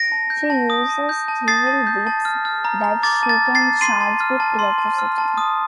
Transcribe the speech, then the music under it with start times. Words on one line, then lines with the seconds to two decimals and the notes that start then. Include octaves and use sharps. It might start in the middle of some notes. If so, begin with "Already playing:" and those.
She uses steel whips that she can charge with electricity.
Already playing: A#6 D7
0.12 A5
0.30 G6
0.50 A5
0.70 D#6
0.89 A5
1.09 G6
1.28 A5
1.48 D#6 A6 C7
1.67 A5
1.87 G6
2.07 A5
2.25 F6
2.45 F6
2.65 A#5
2.84 A#5
3.03 D6 A6
3.23 A5
3.29 A6
3.42 F6
3.55 A6 C7
3.62 A5
3.81 C6 C7 D#7
4.01 A5
4.20 F6
4.40 A5
4.59 C6
4.78 A5
4.98 F6
5.18 A5
5.37 D#6